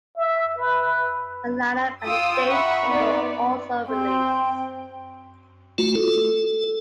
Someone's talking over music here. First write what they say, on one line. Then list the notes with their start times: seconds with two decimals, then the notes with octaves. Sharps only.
The lineup and dates were also released.
0.17 E5
0.58 B4
2.04 F4 G5 D#6 E6
2.49 E5 F#5 A#5 B5 C#6
2.88 B3 C4 D#4 D5
3.89 C4 G5
5.78 A3 F4 F#4
5.95 A4